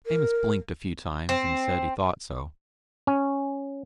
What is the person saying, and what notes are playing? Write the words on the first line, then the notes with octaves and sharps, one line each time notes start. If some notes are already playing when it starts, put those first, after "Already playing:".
Amos blinked a few times and said he thought so.
A#4
C4
C#4